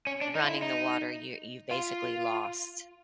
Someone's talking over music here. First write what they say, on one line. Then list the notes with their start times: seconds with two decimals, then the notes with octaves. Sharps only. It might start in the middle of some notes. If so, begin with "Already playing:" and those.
running the water, your you've basically lost
0.07 C#4
0.21 D4
0.35 D#4
0.44 F4
0.48 E4
0.62 D#4
1.71 F4